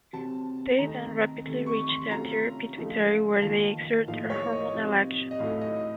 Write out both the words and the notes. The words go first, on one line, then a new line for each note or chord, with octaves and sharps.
They then rapidly reach the anterior pituitary where they exert their hormonal action.
C3 F#3 C4 A5
D#3 A3 C4 D#4 A#5
C3 D#3 A3 C4
C#6
C6
C3 F#3 A3 C#4 F4 A#5
C#3 F3 A3 D#4
D#3 A#3 F4 A5
A2 F3 A#3 D#4 F5
C#5
D#5
C3 F3 C4 D#4
D#5
A2 F#3 A3 D#4 F5
D#5